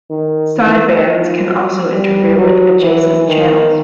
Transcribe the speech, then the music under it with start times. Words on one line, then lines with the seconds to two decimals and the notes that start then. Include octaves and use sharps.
Sidebands can also interfere with adjacent channels.
0.10 D#3
0.57 E3
1.02 F3
1.46 F#3
1.92 G3
2.37 F#3
2.82 E3
3.28 D#3